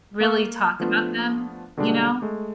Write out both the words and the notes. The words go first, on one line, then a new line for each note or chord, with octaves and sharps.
really talk about them, you know?
A#3 F5 C#6 F6
F3 A3 B3 D4 F4
B2 D3 G3 G#3 D4
G#3 A3